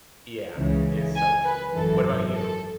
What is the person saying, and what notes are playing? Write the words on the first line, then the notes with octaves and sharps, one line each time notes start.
Yeah, it's so true. What about you?
C#2 C#3 E3
G#5
B4
G#1 F#2 E3 A4
A4